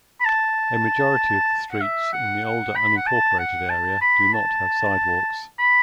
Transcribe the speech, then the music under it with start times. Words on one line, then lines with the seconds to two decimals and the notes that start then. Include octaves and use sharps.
A majority of the streets in the older unincorporated area do not have sidewalks.
0.21 B5
0.25 A5
1.71 F#5
1.81 E5
2.13 F#5
2.44 F#5
2.76 B5
2.97 F#5
3.07 A5
3.39 F#5
3.69 A5
4.01 B5
4.33 A5
5.59 B5